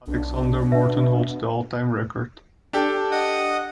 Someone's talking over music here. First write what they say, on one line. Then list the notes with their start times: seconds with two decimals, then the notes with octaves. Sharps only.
Alexander Morten holds the all-time record.
0.08 B1 D4
0.72 B2 B4 E5
2.73 D4 G4 A4
3.11 D#5 F#5 D#6